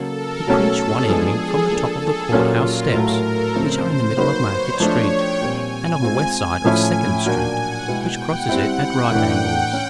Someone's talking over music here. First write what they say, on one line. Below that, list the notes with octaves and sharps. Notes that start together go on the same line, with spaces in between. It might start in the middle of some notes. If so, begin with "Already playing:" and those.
He preached one evening from the top of the court house steps, which are in the middle of Market street, and on the west side of Second street, which crosses it at right angles.
Already playing: C#3 F#3 A#3 A4
A#4
B2 F#3 A3 C#4 A4
G#4
F3 G#3 B3 D4
A4
F3 A#3 D4 A4
G#4
A#2 F#3 A#3 C#4 F4
A#4
A2 F#3 A3
A4
C#3 F3 A3 C4 F4 C5
F#3 A#3 D#4 F#4 B4
C#5
F3 A3 D4
G5
A#2 G3 C4 G#5
G#3 C4 F4
G#5
A2 F3 A3 C#4 E4 G#5
G5
A#2 F#3 A#3 D4 F#4 G#5
F#5
B2 G#3 B3 E4 G5
F#5
G3 C4 E4
G5
A2 E3 A3 D4
C#4